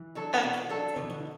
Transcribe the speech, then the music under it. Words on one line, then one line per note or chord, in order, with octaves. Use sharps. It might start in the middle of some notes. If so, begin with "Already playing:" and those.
Okay, take care.
Already playing: E3
F#3 D4 A4
B2
F#3 D4 A4
B2 D3
E3
D3